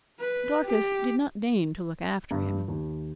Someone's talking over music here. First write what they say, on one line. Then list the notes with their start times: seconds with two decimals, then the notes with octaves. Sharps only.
Dorcas did not deign to look after him.
0.20 B4
0.65 G4
2.31 G2
2.68 D#2